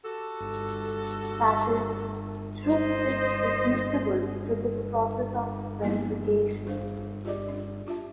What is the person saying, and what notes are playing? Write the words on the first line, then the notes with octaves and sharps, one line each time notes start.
That is, truth is reducible to this process of verification.
F#4 G4 A4
C5 D#5
F3 G3 A#3 B3 D#4 E4
D4 G#4 C5 F5
F4 G4 G#4 D5 D#5 D6
C#4 D4
D4 F4 G4 E5 A5